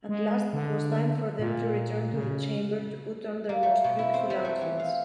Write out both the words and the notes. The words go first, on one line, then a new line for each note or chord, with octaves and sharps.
At last it was time for them to return to the chamber to put on their most beautiful outfits.
G#3
D3
A#2
C#3
A#3
A3
B2
E4
C4
G3
A3
E3
F5